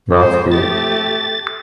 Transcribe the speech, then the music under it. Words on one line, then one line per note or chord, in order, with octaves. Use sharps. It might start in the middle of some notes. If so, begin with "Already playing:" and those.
Not here.
G#3 C5
A3 G4 A6